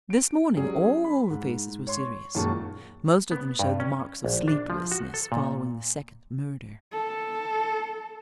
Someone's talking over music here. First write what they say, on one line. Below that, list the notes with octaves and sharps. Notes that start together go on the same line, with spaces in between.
This morning all the faces were serious; most of them showed the marks of sleeplessness following the second murder.
D7
F#3 G3 C#4 G#4
B5
G#2
C#5 C6 C#6
F#2 A#2 D#3 G#3 A5 C#6
B3
G2
C#4
A#1
D4
F3
F#4
A4
A#2
A4